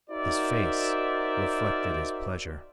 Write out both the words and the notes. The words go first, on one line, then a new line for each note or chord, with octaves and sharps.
His face reflected his pleasure.
D#4 F#4 A#4 C5 D5 E5